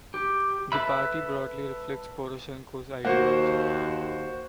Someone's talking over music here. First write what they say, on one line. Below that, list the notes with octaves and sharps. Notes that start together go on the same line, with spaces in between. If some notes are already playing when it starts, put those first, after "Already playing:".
The party broadly reflects Poroshenko's ideology.
G4
A4 B4 E5 B5
D#2 A#3 F#4 C5 F#5